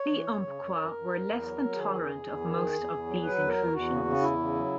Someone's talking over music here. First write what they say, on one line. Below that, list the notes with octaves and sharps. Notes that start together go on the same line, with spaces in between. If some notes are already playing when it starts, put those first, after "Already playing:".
The Umpqua were less than tolerant of most of these intrusions.
Already playing: C#5
E3
F#2
C#3
F#2
F#2 A#4
F#2
F#2
E2
F#3
F#3
D#3 G#4
E2
E2
E2
D#3
E2
E2
E2
F#3
F#3 B4
E2
A#4
E2
E2 F#4
C#3
C#3
E2 E4
C#3
F#3